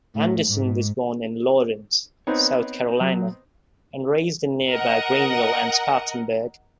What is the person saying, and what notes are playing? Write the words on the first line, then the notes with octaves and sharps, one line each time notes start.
Anderson was born in Laurens, South Carolina, and raised in nearby Greenville and Spartanburg.
A2
G#2
B3 C4 D#4 C#5
F#3
A#4 D#5 F#5